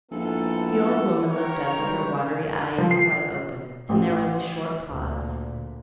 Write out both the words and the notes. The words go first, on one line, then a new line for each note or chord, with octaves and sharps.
The old woman looked up, with her watery eyes wide open, and there was a short pause.
A#1 G#2 B3 E4 A4
D#3 G4 A#4 C#5
G#2 B2 G3 B4 C5
F3
C7
A1
D2 A#2